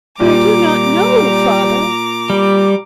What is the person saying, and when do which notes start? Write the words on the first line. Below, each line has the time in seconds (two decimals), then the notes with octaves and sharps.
"But I do not know, Father!"
0.20 A#2 G3 A#5 D6
2.30 G3